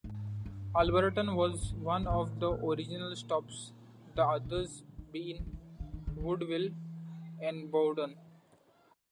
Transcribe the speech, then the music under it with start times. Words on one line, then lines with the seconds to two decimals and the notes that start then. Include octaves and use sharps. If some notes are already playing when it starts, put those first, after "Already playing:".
Alberton was one of the original stops, the others being Woodville and Bowden.
0.04 G#2
0.46 G2
0.79 G#2
0.87 G2
1.62 G2
1.70 G#2
2.03 G#2
2.10 A2
2.51 A#2
4.16 B2
4.45 D#3
4.57 D3
4.98 D#3
5.39 E3
5.47 D#3
5.53 E3
5.80 D3
5.94 D#3
6.07 D3
6.20 E3